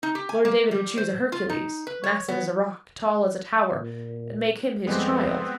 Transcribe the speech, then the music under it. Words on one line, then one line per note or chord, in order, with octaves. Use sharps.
Lord David would choose a Hercules--massive as a rock, tall as a tower--and make him his child.
D#4
G4
G#5
A#3
G3
C5
F4
D#4
B4
C#5
B3
A#2
F2 G3 G#3 B3 C4 G4